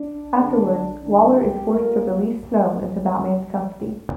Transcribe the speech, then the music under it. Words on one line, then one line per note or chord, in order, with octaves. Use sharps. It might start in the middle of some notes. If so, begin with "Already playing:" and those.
Afterwards, Waller is forced to release Snow into Batman's custody.
Already playing: D4
D3 G#3 D4
D#3 A#3 D4
G4
A#2 G3 A#3 A#4